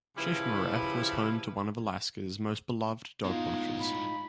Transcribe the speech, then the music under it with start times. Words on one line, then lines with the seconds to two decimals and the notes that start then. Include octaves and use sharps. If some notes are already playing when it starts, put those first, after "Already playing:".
Shishmaref was home to one of Alaska's most-beloved dog mushers.
0.17 C#3 F3 G3 E4 B4
3.25 A2 G#3 B3 D#4 F4
3.79 B5